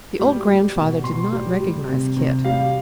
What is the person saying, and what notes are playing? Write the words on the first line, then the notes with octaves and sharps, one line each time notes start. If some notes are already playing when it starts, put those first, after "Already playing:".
The old grandfather did not recognize Kit.
G3
G3
B2
B2 C6
G3
G3
C3
C3
G3 F5